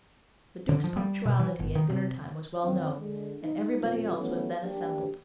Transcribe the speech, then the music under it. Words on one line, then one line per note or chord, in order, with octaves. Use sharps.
The Duke's punctuality at dinner-time was well known, and everybody else was then assembled.
D3
F3
G3
B2
E3
G1
D#3
C3
F#2 D#3 A#3 C4 C#4
D3 G#3
D#4
B1 F2 C3 F4 A4
E3 F#3 A3 B3 C#4
A#3 D4 G4